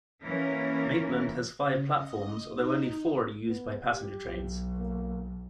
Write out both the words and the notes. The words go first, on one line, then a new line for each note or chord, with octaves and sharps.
Maitland has five platforms, although only four are used by passenger trains.
E3 A#3 C#4 A#4
C#3
D#5
D#4
B3
G4
B1
A#3